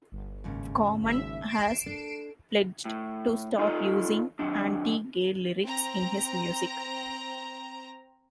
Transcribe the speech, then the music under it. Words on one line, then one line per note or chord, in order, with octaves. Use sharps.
Common has pledged to stop using anti-gay lyrics in his music.
G1
D#2 G#2 C#3
G#1 E5
C7 D7 E7
D4 A4
A2
D#4 F4 A4 D#5
D#3 F#3 D4
C4 A#5